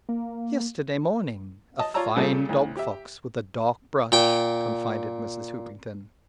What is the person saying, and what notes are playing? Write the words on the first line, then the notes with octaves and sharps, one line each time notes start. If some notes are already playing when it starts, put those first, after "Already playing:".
"Yesterday morning; a fine dog-fox, with a dark brush," confided Mrs. Hoopington.
A#3
D#5 A5
F4 C#5 D5 A5 A#5 E6
A#2 C#3 G3 G#4 A4
D2 A2
G4 E5
A#2 G5